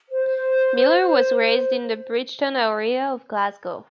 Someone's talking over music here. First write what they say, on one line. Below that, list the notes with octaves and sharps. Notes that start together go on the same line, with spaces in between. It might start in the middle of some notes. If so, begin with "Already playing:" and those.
Miller was raised in the Bridgeton area of Glasgow.
C5